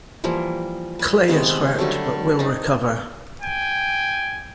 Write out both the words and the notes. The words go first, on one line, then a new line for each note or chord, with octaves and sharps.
Clay is hurt, but will recover.
E3 F3 G3 A#3
B4
C3 D#3 G#3 B3
D3 F#3 G3 A3
C4 D4 D#4
G5 G#5